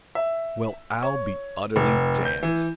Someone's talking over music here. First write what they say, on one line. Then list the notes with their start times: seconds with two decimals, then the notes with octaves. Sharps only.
"Well, I'll be utterly damned!"
0.15 E5
1.03 C#5
1.76 F1
2.25 G6
2.43 E3